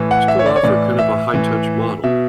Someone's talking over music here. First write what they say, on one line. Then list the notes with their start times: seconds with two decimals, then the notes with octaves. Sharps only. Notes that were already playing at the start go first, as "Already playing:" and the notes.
still offer kind of a high touch model.
Already playing: A2 E3
0.11 F#5
0.28 E5
0.39 C#5
0.46 D5
0.56 C#5
0.63 A2 E3 D5
0.99 E5
1.34 A2 E3
2.04 B2 E5